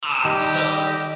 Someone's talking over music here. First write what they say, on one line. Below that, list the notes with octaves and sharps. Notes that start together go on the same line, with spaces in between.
Ah, so,
D#3 G3 G4 D#5